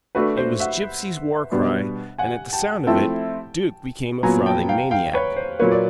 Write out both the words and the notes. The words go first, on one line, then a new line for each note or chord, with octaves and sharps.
It was Gipsy's war-cry, and, at the sound of it, Duke became a frothing maniac.
A3 D4 F#4 B4
C5
E5 F#5
B2 G3 B3 D4
F#5 G#5
G5 A5
F3 A3 C4 E4 A4 G5 A5
A#2 F#3 B3 G#5 A#5
G5 A5
F5 G5
F5 G5
B4 C#5
C5
A#2 F#3 A#3 B4 C#5
D5